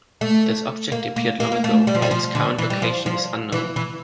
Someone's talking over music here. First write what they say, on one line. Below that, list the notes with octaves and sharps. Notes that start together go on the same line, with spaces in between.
This object appeared long ago, but its current location is unknown.
A3
A#3
A#3
A#3
A#3
A3
G3
F3
G3
F3
D3
E3
G3
F3
F3
E3
E3